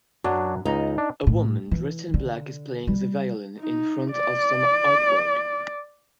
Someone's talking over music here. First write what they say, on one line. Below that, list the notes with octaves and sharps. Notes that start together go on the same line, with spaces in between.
A woman dressed in black is playing the violin in front of some artwork.
F#2 F#3 D4
C#2 D#4 A#5
D4
A2
E3
D3
G3
D#4
D5